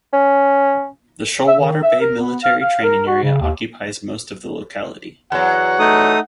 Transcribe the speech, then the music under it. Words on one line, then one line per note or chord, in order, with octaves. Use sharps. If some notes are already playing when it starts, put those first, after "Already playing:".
The Shoalwater Bay Military Training Area occupies most of the locality.
C#4
E5
D#3
E5
A#4
B3
F5
F5
A#4
F#4
C#3
D#2
E2 F#3 F#5
A3 D#4 D#6